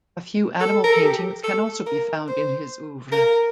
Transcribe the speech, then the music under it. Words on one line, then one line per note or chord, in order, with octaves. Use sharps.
A few animal paintings can also be found in his oeuvre.
A4
A#4
A4
G4
A4
A#4
C5
A#4